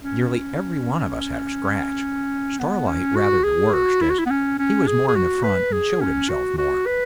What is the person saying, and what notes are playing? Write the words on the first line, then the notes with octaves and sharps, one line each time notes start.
Nearly every one of us had a scratch--Starlight rather the worst, as he was more in the front and showed himself more.
C#4
B3
C#4
F#4
G#4
F#4
E4
F#4
E4
B3
C#4
C#4
G#4
G#4
F#4
B4
G#4
C#4
F#4
F#4
B4